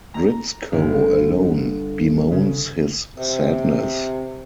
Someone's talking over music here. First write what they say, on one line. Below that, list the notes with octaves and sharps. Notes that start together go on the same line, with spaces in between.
Gritsko, alone, bemoans his sadness.
A#5
G1
C#3
C3